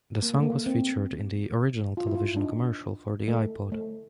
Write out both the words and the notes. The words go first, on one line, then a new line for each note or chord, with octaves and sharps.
The song was featured in the original television commercial for the iPod.
A#3
A3
A#3
C4
F4
E4
F4
D4
D#4
A3
A3